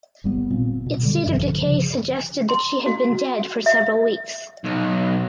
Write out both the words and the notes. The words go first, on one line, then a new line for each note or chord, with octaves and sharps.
Its state of decay suggested that she had been dead for several weeks.
G1 G3 B3
A#2 C4
B2
D3 G3
A1 G2 D3 F3
C#3 F3
C6
F#4
E5
B1